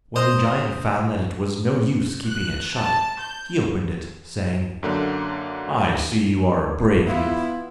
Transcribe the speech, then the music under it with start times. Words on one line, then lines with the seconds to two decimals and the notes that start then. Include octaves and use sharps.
When the giant found that it was no use keeping it shut, he opened it, saying: 'I see you are a brave youth.
0.16 C5 D#5 A#5
2.27 F#6
2.75 A5
3.19 G6
4.83 F#2 D3 A#3
7.06 B3 E4 F4